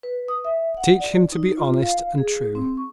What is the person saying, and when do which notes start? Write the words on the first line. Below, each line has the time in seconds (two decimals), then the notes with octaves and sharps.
Teach him to be honest and true.
0.03 B4
0.28 D#6
0.45 E5
0.77 F#5
1.00 D5
1.32 D#4
1.57 F4
1.83 F5
2.18 G#4
2.55 C4
2.77 C#6